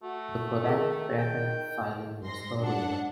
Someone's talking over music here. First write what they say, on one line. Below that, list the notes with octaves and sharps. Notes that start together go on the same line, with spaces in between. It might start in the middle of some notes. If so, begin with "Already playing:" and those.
The Kodak patent filing was earlier.
A3 F#4
D#3 G#4 A#4 F5
G5
G#2 C6 A#6
G#2 D4 F#5